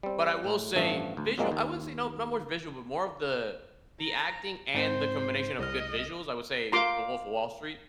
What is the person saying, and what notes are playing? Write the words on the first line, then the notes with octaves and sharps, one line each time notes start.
But I will say visual I wouldn't say no no more visual, but more of the the acting and the combination of good visuals, I would say, "The Wolf of Wall Street,"
G3 C4
A2
A1 G2 F3 A3
D2
F2 A#2 F#3 G#3 A#3 C4
D#2
A#5
G#2 C4 C5
C2 D#5 F6
F4 A#4 F5 A#5 C6 D6